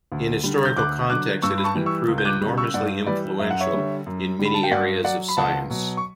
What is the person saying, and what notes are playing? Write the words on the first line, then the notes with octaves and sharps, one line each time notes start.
In historical context, it has proven enormously influential in many areas of science.
D2
D3 G3
G6
D2 D6 F#6
D3 F#3 D6 F#6
G2 C#6 E6
B5
A5 C#6
E3 G3
C#6 E6
C#2
G6
D6 F#6
C#3 G3
C#6 E6
G2 D5 F#5
E3 G3 B4 D5
F#2 E5
F#5
C#5 E5
D3 G3
F#2
D3 G3
B5
A5
G5
G2 D5 F#5
F#3 D5 F#5
B5
C#2 F#5 A5
B2 F#3
C#6